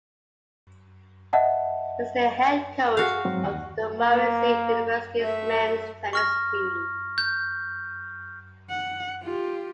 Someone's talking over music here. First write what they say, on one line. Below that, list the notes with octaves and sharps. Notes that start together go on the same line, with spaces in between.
He is the head coach of the Murray State University men's tennis team.
D#5 E5 F#5 A5
F#4 G#4 F5
G#2 F#3 C4
D#2 F#5
A#3
A3 E5
C#6 F6 A#6
G6
F#5
F4 G4